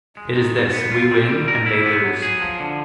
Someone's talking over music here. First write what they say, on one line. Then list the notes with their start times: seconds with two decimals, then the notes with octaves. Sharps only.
It is this: We win and they lose.
0.17 G#3
0.36 D#3
0.55 G#2
0.73 B3
0.92 F4
1.11 C4
1.29 G3
1.48 A#4
1.66 E4
1.86 B3
2.04 F#3
2.22 G#4
2.42 F3
2.60 D3